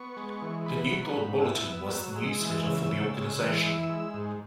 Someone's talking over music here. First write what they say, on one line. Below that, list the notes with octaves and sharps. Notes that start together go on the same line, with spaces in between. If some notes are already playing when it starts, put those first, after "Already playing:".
The "New Thought Bulletin" was the newsletter for the organization.
Already playing: B3 C#6
G#3
E3
B3 B5
F#3
G#2
C#6
E4 E6
B3
F#3
G#3 E6
E3
C#3
C#3
G#3
E3
E4
G#3
G#2